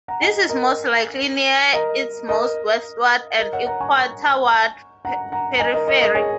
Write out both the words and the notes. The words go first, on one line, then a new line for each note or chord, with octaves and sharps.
This is most likely near its most westward and equatorward periphery.
F#5 A#5
D#5 G#5
A#4 D#5
A#4 D#5
A#4 D#5
A#4 D#5
C#5 F#5
F#5 A#5
G#5 C#6
F#5 A#5
F#5 A#5
A#5
D#5 G#5
A#4 D#5
A#4 D#5
A#4 D#5
G#4 C#5